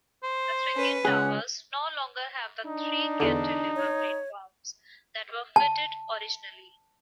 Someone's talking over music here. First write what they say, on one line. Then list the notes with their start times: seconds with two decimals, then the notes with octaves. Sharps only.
The Swingate towers no longer have the three cantilever platforms that were fitted originally.
0.23 C5
0.74 C#4 B4
1.05 C#2 C#4 G#4 F#5
2.66 D4 D#4
3.20 E2 D3
3.76 C#5
5.56 A5